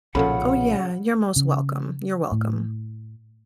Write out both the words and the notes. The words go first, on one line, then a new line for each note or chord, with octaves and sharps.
Oh, yeah, you're most welcome, you're welcome.
B1 A#2 C#3 F3 F4 A4 F#5 B5
C#3
A2